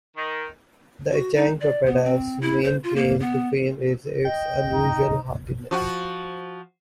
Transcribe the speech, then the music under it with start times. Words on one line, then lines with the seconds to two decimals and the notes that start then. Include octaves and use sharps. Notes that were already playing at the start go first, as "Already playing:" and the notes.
The Ichang papeda's main claim to fame is its unusual hardiness.
0.17 D#3
1.11 F#4
1.35 D#4
1.61 D5
1.86 B3
2.04 C4
2.41 E4
2.64 C5
2.84 F4
2.96 A#3
3.20 B3
4.25 D#5 G5
4.73 D#4
5.71 F3 F#4